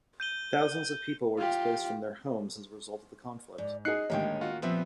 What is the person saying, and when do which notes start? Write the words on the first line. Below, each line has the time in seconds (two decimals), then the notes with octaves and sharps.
Thousands of people were displaced from their homes as a result of the conflict.
0.20 G6 D#7 G7
1.38 F4 G4
3.58 G#2 D5
3.85 D#4 G#4 D#5 F#6 C7 C#7
4.10 A1 D#2 D3 G#3 C#4 G5
4.41 F4 F#4
4.62 A#2 F3 G3 B3 C4 E5